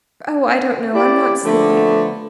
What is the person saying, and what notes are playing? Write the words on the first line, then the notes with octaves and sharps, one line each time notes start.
"Oh, I don't know, I'm not sleepy."
E4 G4 D5
D3 F3 A3 B3